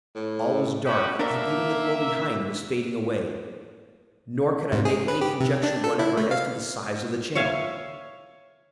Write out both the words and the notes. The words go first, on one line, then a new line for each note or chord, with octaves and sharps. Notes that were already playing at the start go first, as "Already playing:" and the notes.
All was dark, and even the glow behind was fading away; nor could I make any conjecture whatever as to the size of the channel.
A2
F#4 G4 B4
A#3 D4 A#4 E5
G#2
G#4
B4
G4
C3
D4
A4
E4
A3
F5
C#5 E5 F5 G#5